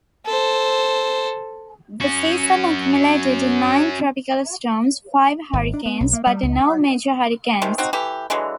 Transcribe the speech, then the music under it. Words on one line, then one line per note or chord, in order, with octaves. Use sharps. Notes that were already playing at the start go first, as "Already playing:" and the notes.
The season accumulated nine tropical storms, five hurricanes, but no major hurricanes.
A4 C5
C#4 F#4
G#1
D4
B3
B1
A#3
G3
C#2
C3 D#3 F3 G#3
C4 D#4 F#4
E3 A3 G4
D3 E3 F#3 G#3